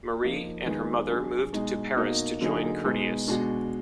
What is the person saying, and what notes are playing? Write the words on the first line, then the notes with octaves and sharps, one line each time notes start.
Marie and her mother moved to Paris to join Curtius.
F3 A#3 D#4
D#3 G#3 B3 D#4 G#4
F#3 D4 G#4
B2 G#3 D#4
B2 A#3 D#4 F#4
D3 F#3 A#3 D#4 G#4
B2 G#3 B3 D#4
B2 G#3 D4 F#4